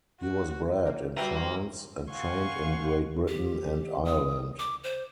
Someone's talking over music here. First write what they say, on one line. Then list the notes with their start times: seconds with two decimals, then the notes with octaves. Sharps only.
He was bred in France and trained in Great Britain and Ireland.
0.21 F#4
0.85 A#3
1.17 G3 F#4 B4 E5 F5 G5 A#5
2.08 F5 F#5 G#5 C6 C#6
3.28 G4
4.05 D#6
4.59 D6
4.84 C5